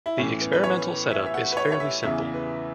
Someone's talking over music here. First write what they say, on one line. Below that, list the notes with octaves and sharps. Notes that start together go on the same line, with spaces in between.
The experimental setup is fairly simple.
E4
A2 E3 C#4
B3
B4
C#5
E5
E5
F#5
B4
C#5
C#5
E5
E2 C#3 E3 E5
B4